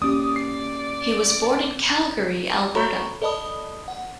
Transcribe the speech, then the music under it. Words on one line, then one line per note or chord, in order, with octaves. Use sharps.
He was born in Calgary, Alberta.
A#3 C#4 G4 D5 D#6
C7
F#4 A4 C#5 A#5 B5 C#6
A4 D5 D#5 A5 B5 D#6
F#5